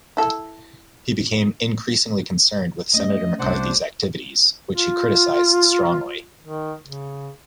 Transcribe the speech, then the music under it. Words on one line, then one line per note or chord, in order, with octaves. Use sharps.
He became increasingly concerned with Senator McCarthy's activities, which he criticized strongly.
E4 A4
A3 C#4 D#5
C2 D4 C5 D5 F#5
F4
D#3
C#3